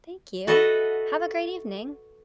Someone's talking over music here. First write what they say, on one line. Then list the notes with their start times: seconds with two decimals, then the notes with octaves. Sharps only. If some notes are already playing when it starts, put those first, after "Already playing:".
Thank you. Have a great evening.
0.47 F#4 A4 B4 D#5 E5 F#5